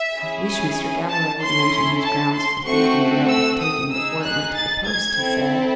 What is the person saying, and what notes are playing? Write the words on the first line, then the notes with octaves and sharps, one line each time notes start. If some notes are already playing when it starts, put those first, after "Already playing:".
"I wish Mr. Galloway would mention his grounds for thinking the note was taken before it went to the post!" he said.
Already playing: E5
C#4 E4 G#4
G#5
A5
C#4 E4 A4 C6
A5
C6
A3 C4 F#4 A4 C#6
E6
D#6
D#4 G#4 E6
F#6
A6
G#6
C4 E4 A4